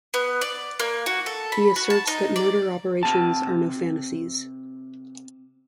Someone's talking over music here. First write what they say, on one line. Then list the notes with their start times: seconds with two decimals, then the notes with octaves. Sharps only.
He asserts that murder operations are no fantasies.
0.14 B3
0.41 D5
0.80 A#3
1.06 F#4
1.26 A4
1.52 B5
1.76 F#4
1.90 A5
2.07 D#4
2.36 D5
3.03 C3 A5